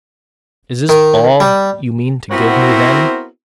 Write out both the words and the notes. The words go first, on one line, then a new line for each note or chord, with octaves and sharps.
'Is this all you mean to give me, then?'
D#3
G3
B3 C4 E4 F#4 A#4 C5